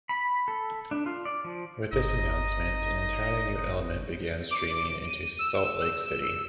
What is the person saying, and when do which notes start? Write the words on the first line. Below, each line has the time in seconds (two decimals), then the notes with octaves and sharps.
With this announcement, an entirely new element began streaming into Salt Lake City.
0.09 B5
0.48 A4
0.91 D4
1.06 F4
1.25 D5
1.44 F3
1.93 G1 D#4 D#5 D#6
4.51 D6
5.06 D#7
5.39 E6